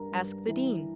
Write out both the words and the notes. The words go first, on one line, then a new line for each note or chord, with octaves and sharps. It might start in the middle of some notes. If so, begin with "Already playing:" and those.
Ask the Dean.
Already playing: G2 G3 A#4 A#5
G2
E3